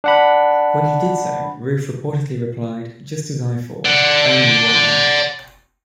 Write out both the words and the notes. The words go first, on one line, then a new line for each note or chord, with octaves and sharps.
When he did so, Ruth reportedly replied, Just as I thought; only one I.
D4 F#5 B5
D5 F#5